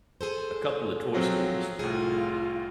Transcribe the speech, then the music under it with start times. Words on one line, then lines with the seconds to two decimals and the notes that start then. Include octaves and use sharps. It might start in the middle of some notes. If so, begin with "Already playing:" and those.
a couple of Toy Stories
0.21 G#4 A4 C5
1.14 F3 F#3 C4
1.79 C2 A2 F4 G#4